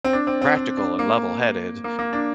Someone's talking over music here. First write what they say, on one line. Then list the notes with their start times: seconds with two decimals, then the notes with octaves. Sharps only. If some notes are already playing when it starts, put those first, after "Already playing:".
practical and levelheaded
0.04 C4
0.13 D4
0.27 C4
0.42 C4
0.56 C4
0.77 D4
0.99 A#3
1.84 A#3
1.99 A#3
2.13 D4